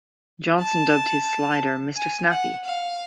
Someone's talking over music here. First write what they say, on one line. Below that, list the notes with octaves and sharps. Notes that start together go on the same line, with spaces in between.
Johnson dubbed his slider "Mr. Snappy".
A5
G#5
F#5
F5